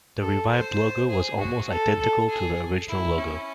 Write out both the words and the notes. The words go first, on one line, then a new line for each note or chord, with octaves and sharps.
The revived logo was almost identical to the original logo.
A4
C5
G#4
F#4
A4
A4
G#4
E4
C#4